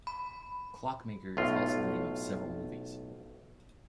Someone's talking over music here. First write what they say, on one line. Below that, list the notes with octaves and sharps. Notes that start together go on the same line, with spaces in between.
"Clockmaker" is also the name of several movies.
B5
B1 A2 F4